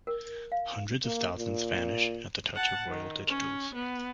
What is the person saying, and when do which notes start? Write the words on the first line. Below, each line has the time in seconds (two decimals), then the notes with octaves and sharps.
Hundreds of thousands vanish at the touch of royal digitals.
0.07 A#4
0.52 F5
1.05 A#3
1.36 A#2
2.55 F#5 A5
2.89 D#3
3.27 C#4
3.75 B3